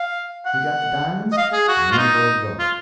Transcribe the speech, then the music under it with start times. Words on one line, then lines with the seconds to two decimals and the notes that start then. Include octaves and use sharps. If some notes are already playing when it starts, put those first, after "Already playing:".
We got the di'monds and went aboard the boat.
Already playing: F5
0.46 F#5
1.32 D#5
1.37 F5
1.53 G#4
1.68 F#4
1.92 F4
1.98 D#4
2.59 F4